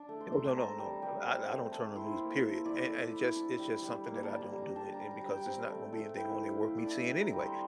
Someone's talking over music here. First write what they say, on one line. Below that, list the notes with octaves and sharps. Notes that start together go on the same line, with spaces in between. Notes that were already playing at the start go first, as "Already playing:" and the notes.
Oh, no, no, no I I don't turn on news, period and and it just it's just something that I don't do and and because there's not gonna be anything on there worth me seeing anyway.
Already playing: D4
A3
C6
A3 A#5
A5
C4 A#5
G3
G3
C4
A3
A3
E4 C6
A#3
A5
E4
E4 D5
A3
E4
D4
G3
G3
A#3 F5
A5
G3
A#5
G3
A#5
D4 A5
A#5
G3
A#5
G3
G5
C4
A3
A3
E4 G5
A3
F5
E4
D5
D4 E5
E5
G3
A#5
G3
C6